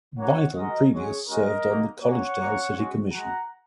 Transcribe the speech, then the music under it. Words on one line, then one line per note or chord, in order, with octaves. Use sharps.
Vital previous served on the Collegedale city commission.
A#3 C#4 F#4 C#5 F#5
G#3 F#4 A#4 D#5
G#3 C#4 F#4 G#4 C#5
G#3 C#4 F#4 A#4 D#5
A#3 D#4 F#4
A#3 C#4 F#4 C#5 F#5
A#3 C#4 F#4
G#3 C#4 F#4
G#3 F#4 F#5 A#5